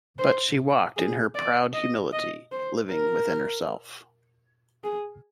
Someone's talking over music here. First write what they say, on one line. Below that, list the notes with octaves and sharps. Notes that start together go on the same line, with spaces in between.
But she walked in her proud humility, living within herself.
C5
G#4
D5
D#5
D#5
C5
A#4
G#4